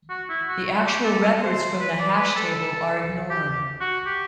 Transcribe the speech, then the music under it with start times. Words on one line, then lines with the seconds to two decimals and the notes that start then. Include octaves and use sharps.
The actual records from the hash table are ignored.
0.10 F#4
0.29 E4
0.48 F#4
0.67 F#4
0.86 G4
1.04 A4
1.42 C5
1.80 B4
1.99 D5
2.18 B4
2.36 A4
3.30 G4
3.81 F#4
4.06 G4